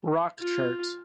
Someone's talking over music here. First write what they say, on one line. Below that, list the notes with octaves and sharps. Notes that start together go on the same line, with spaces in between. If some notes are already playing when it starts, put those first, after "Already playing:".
Rock Chart.
F4